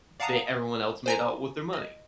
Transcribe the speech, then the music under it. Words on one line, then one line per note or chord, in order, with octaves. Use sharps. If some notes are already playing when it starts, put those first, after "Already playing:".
They everyone else made out with their money.
D5 F5 F#5 A5 A#5 D#6
C5 G#5 A#5
D#5